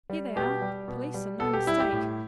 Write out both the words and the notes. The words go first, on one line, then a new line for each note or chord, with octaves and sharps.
'Here they are--p'leece, and no mistake.
G3
B2 G4
G3
B2
G3
B2 A4
G4
G3 E4
G4
A2